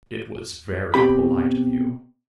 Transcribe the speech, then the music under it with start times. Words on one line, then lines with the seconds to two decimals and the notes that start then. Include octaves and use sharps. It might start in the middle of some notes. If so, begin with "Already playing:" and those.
"It was very polite of you."
0.94 B2 C4 G4 B5